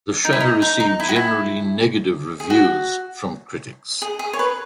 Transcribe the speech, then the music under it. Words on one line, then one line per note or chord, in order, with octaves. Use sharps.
The show received generally negative reviews from critics.
D#4
E4
D#4
D#4
D#4
E4
F#4
E4
G#4
F#4
G#4
G#4
C#5
B4